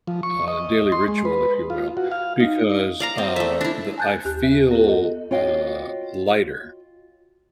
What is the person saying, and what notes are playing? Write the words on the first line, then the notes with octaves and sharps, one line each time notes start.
uh, daily ritual, if you will, because, uh, the I feel, uh, lighter.
F3
C#6
D#5
C6
G#3
B4
F4
F#4
F5
D#4
D5 F5 A#5
C4
A3 E5
D4 E4
G#5 A5 F#6 G6 A6
D#2 G4 F#6
E5
B3 F4 G4 A4
D#5
F4 F#4 C#5 D#5 F5 G5